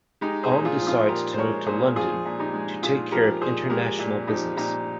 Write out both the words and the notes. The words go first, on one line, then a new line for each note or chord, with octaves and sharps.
Om decides to move to London to take care of International business.
G#3 D#4 G4
G#4 C5
A#2
F4 G#4
F3
F4 G#4
A#2 G4 A#4
C5
G#3 A#4 C#5
A#2 G#4 C5
F3 F4 G#4
A#2
D#4 G4
G#3
A#2 F4 G#4
F3 G4 A#4
A#2 G#4 C5
G#3 G4 A#4
A#2
F3 D#4 G4
A#2 D#4 G4